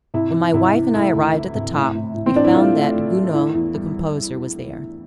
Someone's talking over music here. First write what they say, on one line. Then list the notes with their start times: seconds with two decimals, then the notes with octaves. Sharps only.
When my wife and I arrived at the top, we found that Gounod, the composer, was there.
0.14 C3 E4
0.34 E3
0.53 C3 E4
0.74 E3
0.94 A3 E4
1.14 D2
1.35 E3
1.55 C3
1.74 A2
1.94 A2
2.14 A2
2.26 C4
2.35 E3 D4
2.44 E4
2.54 A3 F4
2.74 A3
2.94 A2
3.14 A3
3.34 E3 E4
3.54 E2
3.74 G3